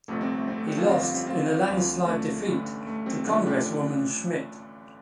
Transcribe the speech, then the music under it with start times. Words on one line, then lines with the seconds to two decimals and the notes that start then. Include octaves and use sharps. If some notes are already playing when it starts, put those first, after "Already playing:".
He lost in a landslide defeat to Congresswoman Schmidt.
0.08 G1 F2 C3 A3
0.21 G3 C4
0.35 A3
0.48 G3 C4
0.58 A3
0.67 D4 G4
0.77 F4 A4
0.87 G1 F2 D3 F3 C4 F4
1.01 G3
1.14 G3 C4
1.27 C4 F4
1.67 D2 D3 F3
2.06 A3 D4
2.46 A1 G2 D3
2.87 A3
3.06 G3 C4
3.26 A1 G2 D3 F3 A3 D4
3.46 D4 G4